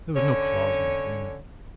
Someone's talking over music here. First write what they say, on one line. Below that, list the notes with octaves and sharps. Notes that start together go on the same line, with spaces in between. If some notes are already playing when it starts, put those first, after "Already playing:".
There was no clause in the agreement.
D3 C#4 C#5